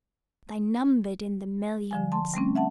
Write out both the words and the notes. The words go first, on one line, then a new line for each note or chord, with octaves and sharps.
They numbered in the millions.
D3 F3 G#5
A5 C6
G3 A3 C4 C#4
E5 F#5 A5